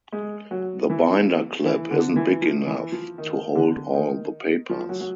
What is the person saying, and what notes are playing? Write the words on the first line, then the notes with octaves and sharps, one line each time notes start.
The binder clip isn't big enough to hold all the papers.
G#3
F#3
E3
E3
D3
E3
F3
E3
F3
D#3
D3
D#3
F3
F#3
F#3